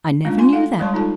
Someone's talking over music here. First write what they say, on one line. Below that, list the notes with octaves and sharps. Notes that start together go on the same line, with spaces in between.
I never knew that.
G#3 A3 C#4 D4 F4
F4 G#5 C6
A4 F5 F#5
G3 G#3 C#5 A5 C6 C#6
G#3 D#4 F4 A4 A5